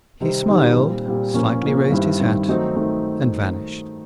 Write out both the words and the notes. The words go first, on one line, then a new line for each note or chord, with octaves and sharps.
He smiled, slightly raised his hat, and vanished.
C3 D#3 G3 C4 D#4
C3 D#3 G3 C4 D#4
A#2 G3 C4
A#2 G3 C4
A#2 F3 A#3 C#4
A#2 F3 A#3 C#4
G2 D#3 G3 C4 E4
G2 D#3 G3 C4 E4
D#3 F#3 A3 C4 D#4
D#3 F#3 A3 C4 D#4